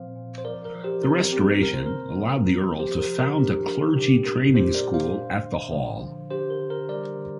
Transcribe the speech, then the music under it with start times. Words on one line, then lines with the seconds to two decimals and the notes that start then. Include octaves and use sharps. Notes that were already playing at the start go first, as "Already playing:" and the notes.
The restoration allowed the earl to found a clergy training school at the hall.
Already playing: A#2 F3 C4 C5 F5
0.16 A#2
0.38 C5
0.45 F3 A#4 D5
0.65 A#4
0.74 F3
0.84 G4 C5
1.03 C4 A#4
1.33 C4 G4
1.62 A#3 A#4
1.74 C5
1.86 A#4
1.92 C3
2.20 F3
2.50 C3
2.79 F3 G4 C5
2.98 A#4
3.09 F3
3.19 A#4
3.38 D4 G4
3.67 D4 A#4
3.96 D4 G4
4.26 A#2 A#4
4.55 A#3 G4 C5
4.75 A#4 D5
4.84 A#2
4.94 C5 F5
5.13 D4
5.43 D3
5.72 F3
6.01 D3
6.30 D4 G4 C5
6.50 A#4
6.60 D3
6.70 A#4
6.89 G3 A#4 D5
7.19 D3